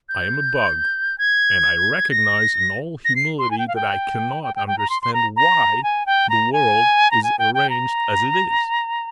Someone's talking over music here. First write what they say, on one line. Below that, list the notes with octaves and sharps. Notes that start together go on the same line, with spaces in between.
I am a bug, and I recognize in all humility that I cannot understand why the world is arranged as it is.
G6
G#6
A#6
A#6
C7
C6
G#5
G5
F5
G5
G5
G5
G5
A#5
C6
C6
A#5
A#5
G#5
G5
A#5
G#5
A#5
G#5
G5
G5
A#5